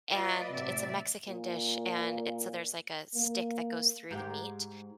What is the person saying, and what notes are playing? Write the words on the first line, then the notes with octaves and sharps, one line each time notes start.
and it's a Mexican dish, and it so there's, like, a stick that goes through the meat,
F4 B4 D5 D#5
A2 C3 F#3 D5 E5
A#2
A#3
G#2 G4